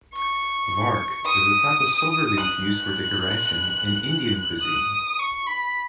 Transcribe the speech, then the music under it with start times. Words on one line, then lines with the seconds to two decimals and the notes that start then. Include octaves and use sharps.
Vark is a type of silver leaf used for decoration in Indian cuisine.
0.14 C#6
1.26 D#6
2.38 F#6
4.63 D#6
5.19 C#6
5.47 B5